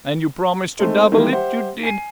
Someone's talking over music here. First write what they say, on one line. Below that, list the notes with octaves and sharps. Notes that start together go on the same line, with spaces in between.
And you promised to double it--you did!
G#3 A3 C4 D#4
D#3 E3 G3 G#3 A#3 E4
G4 C5 E5 F#5
G#5 C7 D#7